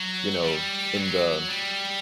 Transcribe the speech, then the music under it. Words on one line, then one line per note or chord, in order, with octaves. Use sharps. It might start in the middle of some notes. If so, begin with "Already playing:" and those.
you know, in the
Already playing: F#3
G3
F#3
G3